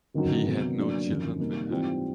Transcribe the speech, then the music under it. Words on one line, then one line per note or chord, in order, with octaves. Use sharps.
He had no children with her.
G1 F#2 D#3 F#3
C3 D#3 F#3 B3 D#4
G2 D3 F#3 A#3 D4
G#1 F#2 D3 F3
C3 D#3 G3 A#3 D#4
G#2 E3 G3 C4 F4